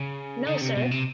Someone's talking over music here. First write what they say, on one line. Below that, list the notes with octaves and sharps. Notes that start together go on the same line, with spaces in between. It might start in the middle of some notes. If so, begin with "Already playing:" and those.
No sir!
Already playing: C#3
D3
C3
B2
C3